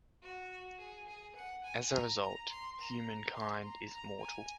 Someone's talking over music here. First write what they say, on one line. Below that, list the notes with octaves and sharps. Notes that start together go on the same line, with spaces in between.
As a result, humankind is mortal.
F#4
G#4
G#4
F#5
G#5
A#5
A#5
C6
A#5
C6
A#5
A#5
G#5